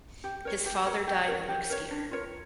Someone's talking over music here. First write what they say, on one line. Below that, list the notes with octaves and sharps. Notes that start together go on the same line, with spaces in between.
His father died the next year.
G4
A#4 C#5
G4
A#4 C#5
G4
A#4 C#5
G4
A#4 C#5
D4
F4 A#4 C#5